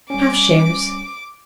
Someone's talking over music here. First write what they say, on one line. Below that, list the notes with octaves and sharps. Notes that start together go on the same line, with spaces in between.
"Half shares."
G3 C#4 D6